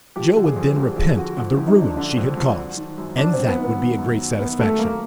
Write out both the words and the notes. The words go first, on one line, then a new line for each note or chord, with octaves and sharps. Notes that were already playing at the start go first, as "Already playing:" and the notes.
Joe would then repent of the ruin she had caused, and that would be a great satisfaction.
F3 G4
D3
G#4
F2
F2 G4
F3 G#4
D3 F#4
F2 F#4
E4
F2
D#4
F3
D4
D3 D4
F2
F2
F#3
D#3
F#2
F#2 D4
F#3 C4
B3
D#3
B3
F#2
F#2
F#3
D#3 B3
F#2 A3
F#2 A#3